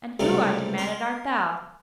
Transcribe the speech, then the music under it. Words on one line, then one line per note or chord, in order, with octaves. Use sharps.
"And who," I demanded, "art thou?"
C#2 G2 C3 G3 A3 A#4
A#4 C6